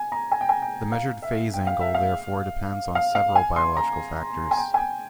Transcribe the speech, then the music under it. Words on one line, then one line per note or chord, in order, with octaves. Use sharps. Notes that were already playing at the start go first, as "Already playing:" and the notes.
The measured phase angle therefore depends on several biological factors.
Already playing: G#5
A#5
G#5
G5
G#5
G5
F5
E5
G5
F5
E5
F5
F5
F5
G#5
C6
A#5
G#5
G5
G#5
G5